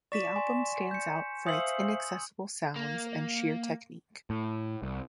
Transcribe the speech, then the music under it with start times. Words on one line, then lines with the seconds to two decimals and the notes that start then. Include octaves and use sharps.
The album stands out for its inaccessible sounds and sheer technique.
0.12 D5 C#6 B6 E7
0.36 G#5 C6
0.91 G6 C#7
1.47 C5 E5 F5 D#6 E6 F#7
2.76 A#3
4.30 A2
4.82 C2